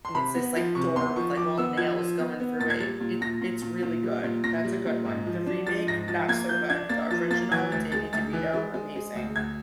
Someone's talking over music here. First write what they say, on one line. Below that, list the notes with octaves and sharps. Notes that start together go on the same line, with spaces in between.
and it's this, like, door with, like, all nails going through it. It it's really good, that's a good one. The remake, not so good; he original with Danny DeVito, amazing.
C6
C3 B5
B3
F3
C3 C#6
B3 C6
F3 C#6
F3 D6
B3 E6
F3 G#6
F3
B3
B3
A#2 A6
G#6
G3 A6
A#2
A#2 A#6
A#2
A#2
A#2
G3
A#2
A#2 A#6
G3
A#2
G#2
F3
D4
F3 A6
G#2 A#6
F3 A6
A#3 G#6
F3 G6
D4 G#6
A#3 A6
F3 A6
A#3 A6
E3 G#6
D2 A6
G#3 A6
D2 A6
E3
G#3
G#3
G#3
D2
D2 G#6